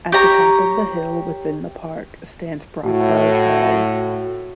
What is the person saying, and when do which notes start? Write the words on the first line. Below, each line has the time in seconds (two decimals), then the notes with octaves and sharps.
At the top of the hill within the park stands Brockwell Hall.
0.12 G4 C#5 A#5
2.85 A2 F#4